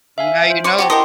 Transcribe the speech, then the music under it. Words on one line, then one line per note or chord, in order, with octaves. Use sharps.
Now you know.
E5 F5 G#5
C5
C#5 D5 C6
F#4 G4 A5
E4 G4 A#4 D#5 A5 C6